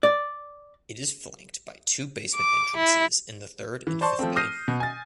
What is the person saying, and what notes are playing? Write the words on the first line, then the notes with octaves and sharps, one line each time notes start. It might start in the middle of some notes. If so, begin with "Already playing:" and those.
It is flanked by two basement entrances in the third and fifth bay.
D5
D6
E4
E3
C5 D5 A5 C6 C#6
F3 A3 C4
D#6 F6 G6 A#6 C7 D#7
B2
G#5 A6